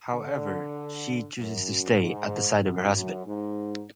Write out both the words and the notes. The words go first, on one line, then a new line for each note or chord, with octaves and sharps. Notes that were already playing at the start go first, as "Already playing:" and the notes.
However, she chooses to stay at the side of her husband.
D3
F#2
G#2
F#2
F#2
G#2